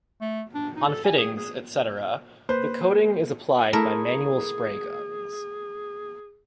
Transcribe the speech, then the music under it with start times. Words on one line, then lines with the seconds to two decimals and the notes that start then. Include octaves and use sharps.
On fittings, etc., the coating is applied by manual spray guns.
0.21 A3
0.55 D4
0.76 D#4
0.88 A4
1.04 G#5
1.18 G#4
1.37 G#4
2.49 A#3 B4 C5 G6
3.73 A3 E4 G#4 A#4